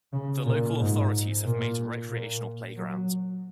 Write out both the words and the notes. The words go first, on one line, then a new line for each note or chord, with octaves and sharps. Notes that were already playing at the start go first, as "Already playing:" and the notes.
The local authorities have made a recreational playground.
C#3
A#2
G#2
A#2
A#2
F#3